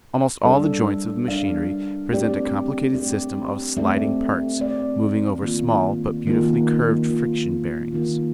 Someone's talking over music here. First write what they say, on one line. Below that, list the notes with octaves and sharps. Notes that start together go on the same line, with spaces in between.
Almost all the joints of the machinery present a complicated system of sliding parts moving over small but beautifully curved friction bearings.
G3 D4 A4 D5 F5
G3 D4 A4 D5 F5
A3 C4 G4 D5
A3 C4 G4 D5
A3 C4 G4 D5
A3 C4 G4 D5
D#3 A#3 F4
D#3 A#3 F4
D#3 A#3 F4
D#3 A#3 F4